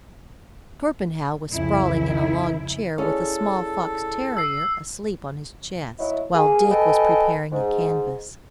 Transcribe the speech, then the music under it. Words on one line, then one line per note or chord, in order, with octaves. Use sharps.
Torpenhow was sprawling in a long chair with a small fox-terrier asleep on his chest, while Dick was preparing a canvas.
C2 F2 C#3 E4
C#4 E4 G#4 A4 D5
E6 C7
F#3 D#4 E4
A#3 G#4
A4 B4 D#5 G5 G#5
G#2